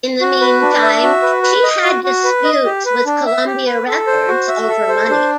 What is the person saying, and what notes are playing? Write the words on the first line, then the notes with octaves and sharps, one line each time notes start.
In the meantime, she had disputes with Columbia Records over money.
F#4
B4
D4
E5
F#4
B4
B4
D#5
F#4
F#4
B4
D#5
G4
B4
D4
E5
G4
B4
A4
C5
F#4
E5
A4
C5
D4